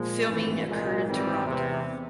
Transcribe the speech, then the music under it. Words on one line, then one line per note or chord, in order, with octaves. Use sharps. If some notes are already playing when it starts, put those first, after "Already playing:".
Filming occurred in Toronto.
Already playing: A#2 F3 G#3
G#1 G2 E3
C2 A#2 G#3
G#1 G#2 E3 G3 C4
E2 C3 E3